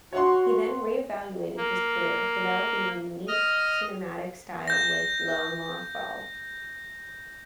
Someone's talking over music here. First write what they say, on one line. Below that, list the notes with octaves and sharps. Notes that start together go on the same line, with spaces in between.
He then re-evaluated his career, developing a unique cinematic style with "L'amour fou".
F#4 C#5 F#5 C6
A#3
D#5 F6
G6 A#6